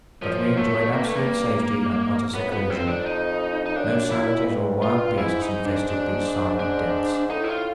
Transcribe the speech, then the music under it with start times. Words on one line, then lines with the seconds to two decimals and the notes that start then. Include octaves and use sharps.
But we enjoyed absolute safety and utter seclusion; no savages or wild beasts infested these silent depths.
0.22 F#2 F3
0.57 A3
0.93 G2 A#3
1.04 A3
1.15 A#3
2.34 F#2 B3
2.48 F2 B3
2.63 E2
2.70 C4
2.76 F2
2.87 D4
3.06 D#4
3.66 D#4
3.76 F#2 D4
4.11 E4
4.44 G#2
4.47 G2
4.82 F4
5.18 G#2 E4
5.42 D#4
5.65 D4
5.89 D4
6.60 D4
7.30 A2 D#4
7.44 E4
7.48 F4